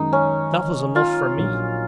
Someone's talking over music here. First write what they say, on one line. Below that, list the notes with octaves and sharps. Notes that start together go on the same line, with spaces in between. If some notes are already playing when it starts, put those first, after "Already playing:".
'That was enough for me.
Already playing: F#2 D#3 G#3 D#4
C#4
F4
A#1 A#2 F#3